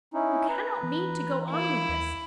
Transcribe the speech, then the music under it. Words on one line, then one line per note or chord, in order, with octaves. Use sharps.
You cannot mean to go on with this.
C#4 D#4 E4
B4 A#5
E3
A#3 E4
D#2